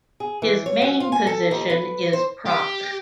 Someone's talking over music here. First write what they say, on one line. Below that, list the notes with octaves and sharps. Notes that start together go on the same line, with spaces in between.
His main position is prop.
G#4
E3
C#5
F#3
F4
G#5
A4
D#2
B4
C5
G4